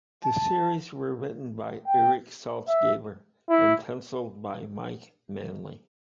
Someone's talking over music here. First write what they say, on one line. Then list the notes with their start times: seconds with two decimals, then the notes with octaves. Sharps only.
The series were written by Erik Saltzgaber and pencilled by Mike Manley.
0.25 A5
1.87 G5
2.68 E5
3.49 E4